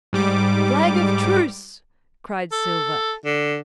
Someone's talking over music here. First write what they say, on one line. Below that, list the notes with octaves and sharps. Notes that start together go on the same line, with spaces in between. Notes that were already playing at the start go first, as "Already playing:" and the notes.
"Flag of truce," cried Silver.
G#2 G3 D6
A4
D3